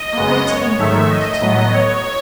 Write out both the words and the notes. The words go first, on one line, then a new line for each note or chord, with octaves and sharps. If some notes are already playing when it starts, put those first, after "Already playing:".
"I go to England to-night."
Already playing: D#5
F#2 C#3 G#3 B3
C#5
G#2 D#3 A3 E5
D#5
A2 F#3 B3
C#5